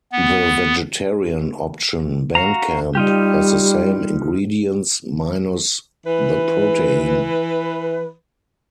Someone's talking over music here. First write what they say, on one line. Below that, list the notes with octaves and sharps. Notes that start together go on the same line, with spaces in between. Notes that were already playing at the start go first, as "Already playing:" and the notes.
The vegetarian option, band camp, has the same ingredients minus the protein.
B3
F#4 F5 A#5
G3 D#4 F4 G4
E3 B4